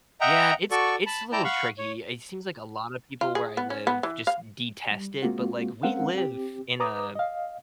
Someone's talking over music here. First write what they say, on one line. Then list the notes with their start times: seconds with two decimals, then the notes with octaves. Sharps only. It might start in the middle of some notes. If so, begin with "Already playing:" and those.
Yeah, it's it's a little tricky. It seems like a lot of people where I live just detest it, but, like, we live in a
0.21 D#5 E5 F#5 G5 A#5
0.71 F#4 A4 D5 C#6
1.06 A5 B5
1.32 E4 D5 G5 A5 A#5 G6
1.44 F5 F#5 B5 C#6
1.78 C#5
3.21 F4
3.35 G#4
3.57 B3
3.70 C#4
3.87 B3
4.03 E3
4.27 F5
4.91 G3
5.22 G#3 A#3 C4 F4 F#4
5.83 G#3 C4 C#4 A#4 F5 F#5
6.14 C4 G4
6.80 B4 A#5 D6 D#6
7.15 D#5 F5